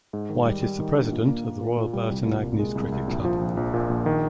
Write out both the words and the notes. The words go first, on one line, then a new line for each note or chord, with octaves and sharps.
White is the President of the Royal Burton Agnes Cricket Club.
G#2
D#3
G3
G3
D#3
D4
A#2
A#3
A#3
A#2
A#2
G3
C2
A#2
C2
G#3
C2
C2
A#1
F3
A#1
A#1
A#2
A#1
D#3